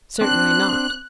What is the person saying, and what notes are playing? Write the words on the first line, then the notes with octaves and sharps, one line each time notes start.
"Certainly not."
C4 D4 F#6